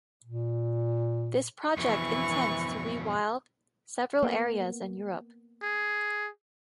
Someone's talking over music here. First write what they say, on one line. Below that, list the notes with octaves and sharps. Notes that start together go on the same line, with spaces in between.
This project intents to rewild several areas in Europe.
A#2
F2 B2 E3 C#6
A#3 B3
G#4